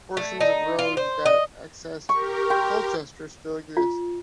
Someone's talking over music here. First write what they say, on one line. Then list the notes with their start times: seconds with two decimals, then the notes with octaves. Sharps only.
Portions of roads that accessed Colchester still exist.
0.17 A3
0.40 D#4
0.79 F4
0.97 C5
1.26 D#5
2.09 G4 A#4 C#6
2.50 G5 C6
3.77 F4